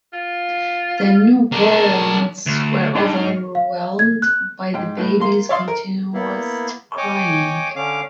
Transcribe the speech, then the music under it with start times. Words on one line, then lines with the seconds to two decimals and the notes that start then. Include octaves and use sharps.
The new parents were overwhelmed by the babies continuous crying.
0.13 F4
1.52 D4 A#4
2.46 D2
2.95 G#2 D4
3.16 F6
3.55 F5
3.99 G#6
4.22 F#6
4.74 G#2 G5
4.97 A2 B4
5.20 A#3 C6
5.49 C#5 D5 E5 F5 C6 D#6
5.68 A#4
6.14 A#3 B3 E4
6.97 C#5 D#5 G5 G#5 D6
7.76 D3 C#4 F5 D6